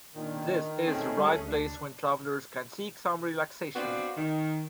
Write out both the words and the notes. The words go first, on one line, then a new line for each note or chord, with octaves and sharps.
This is the right place when travelers can seek some relaxation.
A#2 D#3 D4
A3 C4 C#4 G#4
G3
D2
D4
B3 C4 D4 F#4 B4 F5
D#3